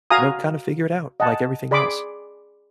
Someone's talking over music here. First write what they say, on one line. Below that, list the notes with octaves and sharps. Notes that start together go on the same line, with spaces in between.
know? Kind of figure it out like everything else.
F#4 F5 G#5 A#5 D#6
D#5 F#5 G#5 A5
G#4 D5 B5 C6 D6